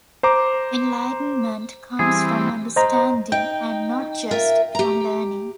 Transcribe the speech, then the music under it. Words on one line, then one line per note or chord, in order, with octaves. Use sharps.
Enlightenment comes from understanding and not just from learning.
C5 A#5 D6
E3 G3 C4 G#4
C5 D#5 A#5
D#4 G5
F4 A#4 E5
G4 A#5